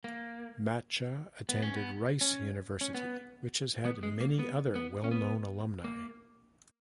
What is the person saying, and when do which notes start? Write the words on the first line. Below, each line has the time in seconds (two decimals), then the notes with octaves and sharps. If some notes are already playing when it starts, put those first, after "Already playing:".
Macha attended Rice University, which has had many other well-known alumni.
0.04 A#3
1.49 B3
1.62 C#4
1.76 B3
2.21 C#4
2.81 C#4
2.95 B3
3.85 B3
4.03 G#3
4.20 A#3
4.39 B3
4.76 B3
5.04 C#4
5.11 B3
5.84 A#3